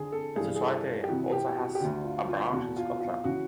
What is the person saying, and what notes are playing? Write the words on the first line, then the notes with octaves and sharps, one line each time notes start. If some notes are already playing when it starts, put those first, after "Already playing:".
The Society also has a branch in Scotland.
Already playing: F2 D3 G#4
A4
G2 E3 G#4
G#4
A4
G4
F2 C3 E3 F#4
G4
F#4
G4
D2 D3 F#4
F4
F4
E2 B2 F#4
F4
F4
C#3 E3 F#4